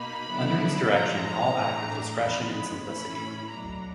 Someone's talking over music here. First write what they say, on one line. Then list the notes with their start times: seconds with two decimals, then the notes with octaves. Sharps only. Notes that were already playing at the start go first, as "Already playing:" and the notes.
Under his direction all act with discretion and simplicity.
Already playing: B2 A#3 D#4 B5
0.28 D3 F#3 B3 E4
0.92 A2 F3 G#3 A#5
1.57 A2 E3 A3 D4
2.21 F2 C#3 E3 G#3 B3 B5
2.85 A2 E3 A3 C#4 E4 B5
3.49 B2 F#3 A3 D4 A#5